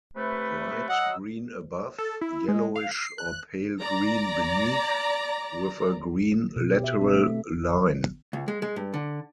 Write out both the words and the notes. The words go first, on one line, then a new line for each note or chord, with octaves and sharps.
Bright green above; yellowish or pale green beneath, with a green lateral line.
C3 A3 B4
F#3 D#5 F#5 E6
A4
E4
G#3
F5
C7
F#6
D5 A#5
B2
G4
E5
C4
A3
A3
C#2
G#3
G#3
G2
D3